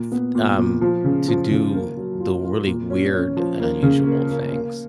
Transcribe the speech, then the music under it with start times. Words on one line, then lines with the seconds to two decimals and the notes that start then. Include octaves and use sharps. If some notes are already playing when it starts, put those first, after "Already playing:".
f um, to do the really weird, unusual things
Already playing: A#2
0.12 B3
0.35 A#2
0.58 A#2
0.81 F3
1.04 C#3
1.28 F3
1.51 C#3
1.75 A#3
1.97 F#3
2.20 F4
2.44 F4
2.67 A#2
2.90 C#4
3.13 C#4
3.37 F3
3.60 A#3
3.83 C#3
4.07 A#3
4.29 A#3
4.52 A#3